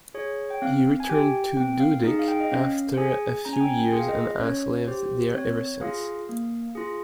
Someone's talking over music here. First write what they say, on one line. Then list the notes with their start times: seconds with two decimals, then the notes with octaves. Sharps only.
He returned to Dhudike after a few years and has lived there ever since.
0.14 G#4 C#5
0.50 G5
0.62 C4 F5
1.00 G#5
1.09 G4 G5
1.57 C4 G5
1.80 F5
2.04 D#4 G#4
2.19 F5
2.28 G5
2.40 D#5
2.51 C#4 F5
2.98 G#4 G#5
3.45 C#4 A#5
3.53 G#5
3.61 G5
3.68 G#5
3.77 G5
3.92 F4 G#4
4.00 F5
4.09 D#5
4.40 C#4 C#5
4.87 G4 C5
5.34 C4 C#5
5.81 F4 G#4 F5
6.29 A#3
6.75 F4 G#4